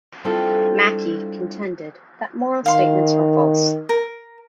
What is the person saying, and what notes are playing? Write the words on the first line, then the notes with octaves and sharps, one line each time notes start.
Mackie contended that moral statements are false.
G3 C4 D4 E4 F4 A4
D#3 F5 C6
A#4